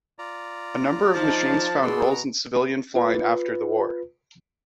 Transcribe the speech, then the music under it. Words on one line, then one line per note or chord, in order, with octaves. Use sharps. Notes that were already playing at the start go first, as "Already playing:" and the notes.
A number of machines found roles in civilian flying after the war.
F4 D5 A#5
F3 D#4 A5
B2 G#4 D5 C6 E6
A#5
F4 B4